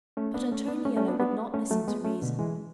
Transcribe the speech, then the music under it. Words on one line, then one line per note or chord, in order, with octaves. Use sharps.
But Antoniello would not listen to reason.
A3 C#4
B3 D4
A3 C#4
B3 D4
A3 C#4
A3 C#4
B3 D4
B3 D4
A3 C#4
F#3 A3
G#3 B3
A3 C#4
B2 D3
E3 G#3